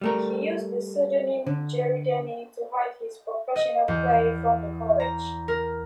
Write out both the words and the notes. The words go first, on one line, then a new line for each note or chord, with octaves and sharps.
He used the pseudonym "Jerry Denny" to hide his professional play from the college.
G3 A3 A#4
D3
D#5
E2
A#5
A#4